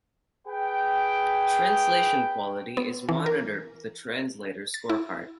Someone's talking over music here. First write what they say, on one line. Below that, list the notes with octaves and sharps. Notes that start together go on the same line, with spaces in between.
Translation quality is monitored with a translator scorecard.
G#4 B4 G5
B3
E3
A#4
A6
E4